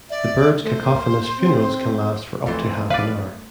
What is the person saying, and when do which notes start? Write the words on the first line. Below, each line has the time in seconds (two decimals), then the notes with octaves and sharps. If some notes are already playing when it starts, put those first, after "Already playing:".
The birds' cacophonous "funerals" can last for up to half an hour.
0.10 D5 E5
0.63 A3 C5
0.83 A#3
1.38 C4
2.46 F2 E3 A3 A4 C5
2.90 B4 D5 F5